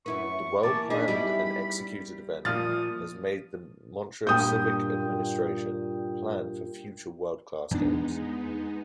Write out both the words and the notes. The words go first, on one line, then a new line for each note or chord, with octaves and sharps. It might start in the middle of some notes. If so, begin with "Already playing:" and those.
The well-planned-and-executed event has made the Montreal civic administration plan for future world-class games.
F#2 E4 B4 C#6
E3 A#3 A5 D6
D4 D#4 G#4 D#5 B5
G3 B3 D#4 E4 G#4 D5
A#2 F3 G3 D#6 F6 A6
G2 A#2 G5 D#6 G6
E2 G#3 B3 D4 D#4